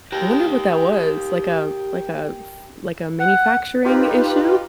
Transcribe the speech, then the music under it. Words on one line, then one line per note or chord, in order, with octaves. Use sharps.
I wonder what that was. Like, a like, a f like, a manufacturing issue
G4 A#4
F#5
D#4 F4 G4 B4